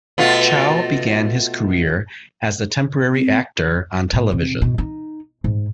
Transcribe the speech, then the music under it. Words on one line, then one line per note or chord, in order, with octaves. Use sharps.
Chow began his career as a temporary actor on television.
B2 A3 F4
C4
A2
C3
B2
D#4
G#2